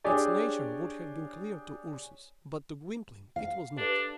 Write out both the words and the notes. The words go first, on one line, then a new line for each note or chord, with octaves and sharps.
Its nature would have been clear to Ursus; but to Gwynplaine it was not.
D4 G4 G#4 C#5 D5 G#5
F5
D4 G4 A4 B4